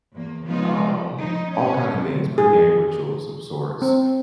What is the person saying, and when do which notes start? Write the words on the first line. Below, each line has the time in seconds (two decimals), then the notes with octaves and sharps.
um, all kinda things, pregame rituals of sorts.
0.14 E2 A#3
0.46 C#3 F3 G#3 B3 D#4 F4
0.88 F3 A3
1.18 F3 D#4
1.53 C#4
1.93 A2 C3 F#3
2.38 G#4
3.82 C4